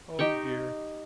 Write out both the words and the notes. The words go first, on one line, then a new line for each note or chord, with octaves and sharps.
Oh, dear!
D#4 G4 G5 C#6